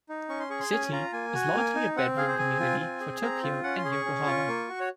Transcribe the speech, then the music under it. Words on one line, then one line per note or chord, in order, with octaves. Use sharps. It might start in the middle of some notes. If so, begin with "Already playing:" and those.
The city is largely a bedroom community for Tokyo and Yokohama.
D#4
C#4 C#6
C6
G#4 C#6
C6
C#4 G#5
F4 A#5
A#3 G#5
F#4
A#3
D#4
C4 F#5
G#4 F5
C5
C4 G#5
F4
C4
G#4
C4 A#5
F4
C#4 F#5
C6
G#4
C#6
C#4
F4
A#3
F#4
C#5